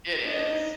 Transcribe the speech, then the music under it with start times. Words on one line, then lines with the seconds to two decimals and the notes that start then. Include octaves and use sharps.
It is.
0.25 D4 D#5
0.38 D4
0.51 D#4